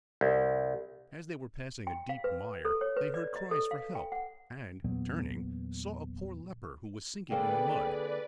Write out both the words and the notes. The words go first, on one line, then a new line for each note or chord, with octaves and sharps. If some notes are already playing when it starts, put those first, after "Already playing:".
As they were passing a deep mire they heard cries for help, and turning, saw a poor leper who was sinking in the mud.
C2
G5
F5
B4
A4
C#5
B4
D5
D#5
A4
F5
G5
F#5
E2 A#2 F#3 B3
D3 A#3 C4 G#4 B4 D5 G5